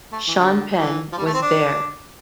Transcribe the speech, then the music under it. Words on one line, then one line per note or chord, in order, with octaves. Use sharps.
Sean Penn was there.
A3
E3
D3
E3
F3
G3
A3
C4
D4